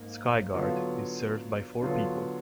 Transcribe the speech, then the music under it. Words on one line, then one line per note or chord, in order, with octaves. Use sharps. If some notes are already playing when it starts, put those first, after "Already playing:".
Skyguard is served by four people.
Already playing: G#2 A#3
D3 F#3 B3 F4
D3 F#3 B3 F4